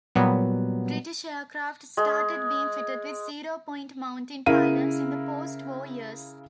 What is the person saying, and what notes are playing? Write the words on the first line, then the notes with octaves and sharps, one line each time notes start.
British aircraft started being fitted with "Zero-Point" mounting pylons in the post-war years.
A#2 F#3 G3 B3
G#3
C#3 E4 A#4 F5 D#7